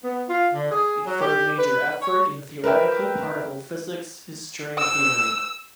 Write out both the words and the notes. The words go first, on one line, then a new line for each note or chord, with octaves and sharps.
A third major effort in theoretical particle physics is string theory.
B3
F4
D3
G#4
F#3
G4
B4
C#5
A#4 B4 E5 G5
E6